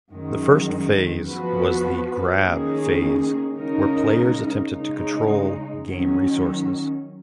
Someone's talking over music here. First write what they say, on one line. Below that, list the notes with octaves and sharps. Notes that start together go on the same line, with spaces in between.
The first phase was the "grab" phase where players attempted to control game resources.
F#2 D#3 G#3
F3 B3 F#4 B4
D#3 A#3 C#4 G#4
C#3 G#3 D#4 A#4
C#3 G#3 D#4
D#3 F#3 C#4